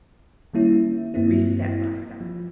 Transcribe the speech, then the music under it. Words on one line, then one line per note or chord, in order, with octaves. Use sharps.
reset myself.
D#3 G3 A#3 C#4 E4
G2 A#3 C4 E4
F3